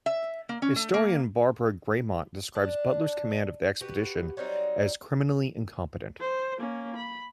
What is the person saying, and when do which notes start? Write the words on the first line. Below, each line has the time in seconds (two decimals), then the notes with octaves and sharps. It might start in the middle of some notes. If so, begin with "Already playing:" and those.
Historian Barbara Graymont describes Butler's command of the expedition as "criminally incompetent".
0.06 E5
0.49 A#3
0.62 C#4
0.76 A3
0.94 A#3
2.55 D4
3.81 F#4 G4 B4
4.37 F#3 G3 C4 D#4
6.20 C5
6.58 A#3 C#4
6.96 B5